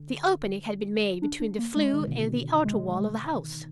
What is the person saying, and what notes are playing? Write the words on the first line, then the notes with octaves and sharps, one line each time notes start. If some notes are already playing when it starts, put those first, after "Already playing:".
The opening had been made between the flue and the outer wall of the house.
Already playing: D3
D4
D4
A#3
G#3
D#3
D3
B2
D3
G#3
D#3